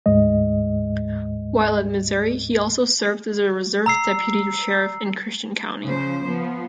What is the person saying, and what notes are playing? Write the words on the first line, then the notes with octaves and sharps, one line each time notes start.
While at Missouri, he also served as a reserve deputy sheriff in Christian County.
D2 G#2 G#3 D#5
A#5 E6 C7
C#3 F3 C5
F3 B3